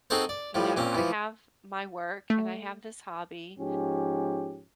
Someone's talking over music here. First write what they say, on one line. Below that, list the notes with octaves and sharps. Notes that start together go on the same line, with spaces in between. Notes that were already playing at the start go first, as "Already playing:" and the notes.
you know, I have my work, and I have this hobby,
C4 D#4 F#4 G#4 A4 C5
D5
A2 F3 G3
A#2 C4 C#4
E3 F3
A3
G#2 F3 C#4 G4